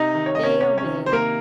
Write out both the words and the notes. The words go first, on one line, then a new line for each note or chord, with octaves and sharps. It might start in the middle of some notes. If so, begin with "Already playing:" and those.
They obeyed.
Already playing: C3 D#4 D#5
D#3
C#5
C3 D#5
C#4 C#5
C3 C#4 C#5
C#4 C#5
D#3
C3 C5
A#3 A#4